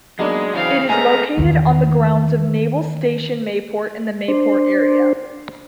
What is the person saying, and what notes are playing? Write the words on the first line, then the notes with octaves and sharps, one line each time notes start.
It is located on the grounds of Naval Station Mayport in the Mayport area.
F#3 G#3 A#3 B3 D4 D#4
C#3 E3 C4 F5
G#3 A3 B3 G#5 A#5 D#6 F6
E2 D#3
D4 C5